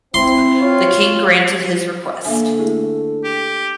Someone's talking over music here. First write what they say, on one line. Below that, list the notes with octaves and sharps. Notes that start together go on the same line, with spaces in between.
The king granted his request.
C4 E4 C6
F4 C#5
D3 A#3 A4 E5 G#5
A3 E4 G#4
G4